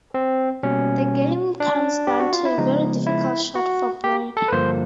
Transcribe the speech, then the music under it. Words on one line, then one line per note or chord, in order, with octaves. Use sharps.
The game comes down to a very difficult shot for Brad.
C4
B2 G3 A#3 C#4
D4
G4
F#4
F4
E4
C#3 F3 G#3 B3 D#4
E4
F#4
G4
A4
B4
G2 D3 F3 A#3 C5